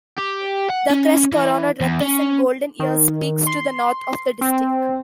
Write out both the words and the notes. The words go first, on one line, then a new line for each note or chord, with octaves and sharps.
The crest coronet represents Golden Ears peaks to the north of the District.
G4
F#5
C#4
E3
E2
C#4
D#3
C6
C4